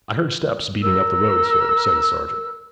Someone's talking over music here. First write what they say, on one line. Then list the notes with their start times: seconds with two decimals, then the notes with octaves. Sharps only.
'I heard steps beating up the road, sir,' said the sergeant.
0.83 A#4 E6